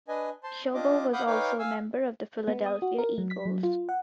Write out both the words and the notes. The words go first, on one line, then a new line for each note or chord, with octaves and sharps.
Schobel was also a member of the Philadelphia Eagles.
D4 B4 D#5 G#5
C5 A5 C6
D4 F4 G4 D#5 D6
F5 F#5 B5 D6 D#6 G6
D#4 B4 C#5 F5 G5 D6
F5 G#5 E6
B3
D#6
F#4
A#4
F#3
B6
F#3
F4
F#5